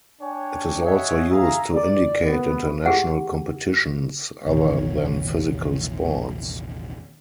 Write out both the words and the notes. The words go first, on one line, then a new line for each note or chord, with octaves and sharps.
It is also used to indicate international competitions other than physical sports.
D4 C#5 G5 G#5
C#5 D#5 E5 F#5 G#5
G#4 E5 F5 A#5
D5
B3
G4 G#4 F#5
F1 A#1 E2 D#3 C#5